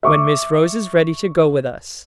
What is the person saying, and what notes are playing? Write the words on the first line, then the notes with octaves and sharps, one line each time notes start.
"When Miss Rose is ready to go with us."
E5 C#6 D6